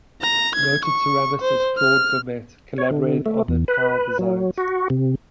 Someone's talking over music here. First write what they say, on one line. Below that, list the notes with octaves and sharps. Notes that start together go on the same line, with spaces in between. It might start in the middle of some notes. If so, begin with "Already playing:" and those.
Noted ceramicist Claude Vermette collaborated on the tile designs.
A#5
G#6
C#6
C5
F6
C#5
D3
A3
E2
B4
F#3
F#4
C3